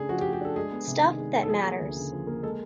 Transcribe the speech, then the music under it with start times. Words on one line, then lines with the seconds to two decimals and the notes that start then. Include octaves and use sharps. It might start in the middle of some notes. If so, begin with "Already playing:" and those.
Stuff that matters.
Already playing: C#3 A3 D4 G#4
0.09 F3 F#4
0.21 G4
0.24 A3
0.33 G4
0.41 D4 A4
0.56 G#3 G#4
0.72 B3
0.88 C3
1.03 D#3
1.18 G#3
1.34 B3
1.43 A4
1.49 F3 G#4
1.65 A#3
1.81 D2
1.97 C#3
2.12 F3
2.27 A#3
2.43 G#3 A4